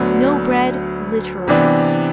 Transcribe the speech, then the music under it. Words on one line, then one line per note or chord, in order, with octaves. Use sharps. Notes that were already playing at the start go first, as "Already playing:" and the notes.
No bread literally.
Already playing: D2 D3 F#3 B3
C3 E3 B3 D4